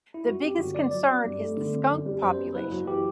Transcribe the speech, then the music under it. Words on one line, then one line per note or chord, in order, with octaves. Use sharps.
The biggest concern is the skunk population.
E4
F#2 F#4
C4 G4
G1 F#4
F#3 D5
F#3 D5
C4
G2
A3
D3
C4
F#2
G3
F#2 C5
B3
F#1 B4
F#3
E3 G4